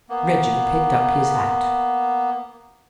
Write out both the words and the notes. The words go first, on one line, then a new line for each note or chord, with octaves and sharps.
Reggie picked up his hat.
A#3 B3